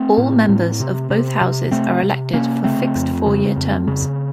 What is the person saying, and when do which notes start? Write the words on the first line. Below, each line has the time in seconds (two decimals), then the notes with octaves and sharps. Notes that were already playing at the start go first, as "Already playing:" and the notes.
All members of both houses are elected for fixed four year terms.
Already playing: A3 C4
0.18 A2
0.49 A2
0.80 C3
1.10 C3
1.41 C3
1.71 C3 A3 C4
2.03 C3
2.34 C3 A#3 C#4
2.64 C#3 A3 C4
2.96 F2
3.26 C#3
3.57 F2
3.88 C#3